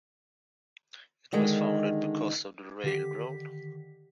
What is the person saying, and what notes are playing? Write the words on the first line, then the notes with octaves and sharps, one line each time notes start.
It was founded because of the railroad.
D3 D#3 G#3
D3 D#3 G4 B6